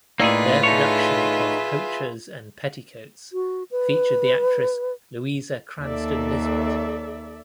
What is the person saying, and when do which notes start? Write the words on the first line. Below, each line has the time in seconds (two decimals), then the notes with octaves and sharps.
Their production of "Poachers and Petticoats" featured the actress Louisa Cranstoun Nisbett.
0.20 A2 A#3 D#4 F4 G#4 B4 D5 E6
0.63 D#4 G#4 A4 C#5 E5
3.33 F#4
3.71 B4
5.81 D#2 A4 D5 E5